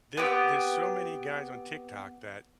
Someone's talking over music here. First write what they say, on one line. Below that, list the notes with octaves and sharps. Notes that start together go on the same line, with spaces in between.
There's there's so many guys on TikTok that
B3 C4 G4